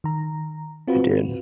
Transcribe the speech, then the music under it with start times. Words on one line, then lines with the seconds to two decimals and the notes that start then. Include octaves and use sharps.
It did,
0.04 D#3 A#5
0.88 C4 F4 F#4 B4